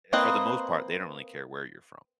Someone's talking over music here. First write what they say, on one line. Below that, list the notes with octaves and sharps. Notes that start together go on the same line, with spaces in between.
for the most part, they don't really care where you're from.
A#3 C4 B4 C5 D#5